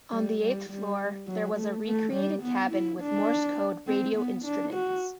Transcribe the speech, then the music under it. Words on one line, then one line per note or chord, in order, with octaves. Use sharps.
On the eighth floor there was a recreated cabin with Morse code radio instruments.
G3
G3
G3
F#3
A3
A3
G3
B3
E4
D4
C4
B3
D4
F#4